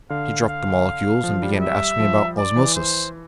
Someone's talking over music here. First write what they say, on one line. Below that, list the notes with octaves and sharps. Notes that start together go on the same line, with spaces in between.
He dropped the molecules, and began to ask me about osmosis.
D3 F5
F5
F3
G3
E5
F3
D5
E3
C5